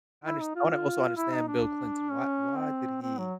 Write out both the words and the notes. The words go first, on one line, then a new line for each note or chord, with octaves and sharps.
Unders I wanna also understand Bill Clinton. Why why did he,
E4
D#4
F4
E4
D#4
D4
C#4
C4
C4
F#3